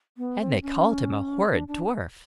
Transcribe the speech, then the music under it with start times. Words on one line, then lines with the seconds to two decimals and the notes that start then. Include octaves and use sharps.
And they called him a horrid dwarf!
0.18 B3
0.40 C4
0.62 C#4
1.53 D4
1.68 D4